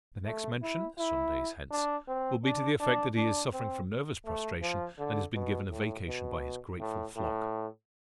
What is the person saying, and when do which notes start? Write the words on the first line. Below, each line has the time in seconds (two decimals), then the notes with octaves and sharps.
The next mention, some days hence, will be to the effect that he is suffering from nervous prostration and has been given a vacation by his grateful flock.
0.26 A3
0.62 E4
0.98 E4
1.71 D4
2.08 C4
2.44 D4
2.80 D4
3.16 D4
3.53 C4
4.25 A3
4.62 F3
4.98 D3
5.34 B2
5.71 A2
6.07 B2
6.80 A2
7.16 A2